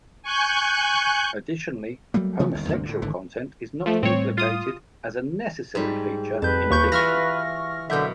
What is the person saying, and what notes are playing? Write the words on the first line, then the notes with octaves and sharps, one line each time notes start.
Additionally, homosexual content is not implicated as a necessary feature in addiction.
G#5 C#6 F#6 G6
F#3 G3 A3 A#3
C3 E3 A3 B3
G1 D#2 D#3
D2 G2 C3 A#3
A2 D3
G#1 D3 E3
F3 A3
A2 G3 A3 C4 C#5
F4 D#6
G#2 G3
F2 B4 A5 G6
D#2 C#6 G6
E3 F4 C#6 F6 A#6
F#2 B2 D3 E5 G6